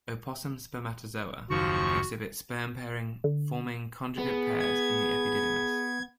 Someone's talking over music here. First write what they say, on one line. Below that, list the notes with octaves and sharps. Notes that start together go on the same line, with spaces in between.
Opossum spermatozoa exhibit sperm-pairing, forming conjugate pairs in the epididymis.
F#1 D#2 D#3 F3 F#4 C#6
D3
B3 G#4
G#6